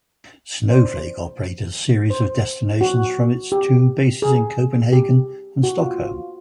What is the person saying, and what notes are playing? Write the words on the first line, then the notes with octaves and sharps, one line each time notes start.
Snowflake operated a series of destinations from its two bases in Copenhagen and Stockholm.
C5 D5
C5
F#4
G4
G#4
G4
F#4
F4
F4